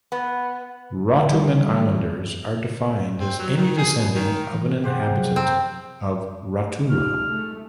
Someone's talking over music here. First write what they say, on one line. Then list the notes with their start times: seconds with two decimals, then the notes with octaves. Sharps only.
Rotuman Islanders are defined as any descendant of an inhabitant of Rotuma.
0.12 B3
1.29 D#3 G3
3.20 C4
3.39 F#3
3.57 D#3
3.78 G#4
3.98 B2
4.15 D#3
4.53 E3
4.84 G4 G#4 C5 F#5
5.11 C3 F3 F#3
5.36 C4 A#4 G5
6.90 C2 G#2 D#4 F4 G4 F6
7.23 G#3 A3